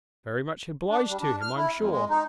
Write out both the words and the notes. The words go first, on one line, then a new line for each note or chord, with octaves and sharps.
'Very much obliged to him, I'm sure.
D4
G3
D4
F6
E4
F2
G#3
D#4